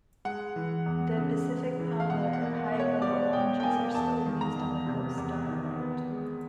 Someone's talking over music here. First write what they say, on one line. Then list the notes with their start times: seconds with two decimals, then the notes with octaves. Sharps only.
The "Pacific Parlour" Hi-Level lounges are still used on the "Coast Starlight".
0.25 G#3 F#5
0.56 E3
0.86 E2
1.17 C#3
1.48 G#3
1.79 E3
2.00 F5
2.10 B2 F#5
2.33 F#5
2.41 A#3
2.72 B2
2.79 C#5
3.02 G3 D5
3.33 B2 G5
3.60 G5
3.63 A#3 G#5
3.94 E2 A5
4.26 D#3
4.41 A#5
4.56 E2
4.87 C3
5.18 E2
5.48 D#3
5.80 B3
6.11 G#3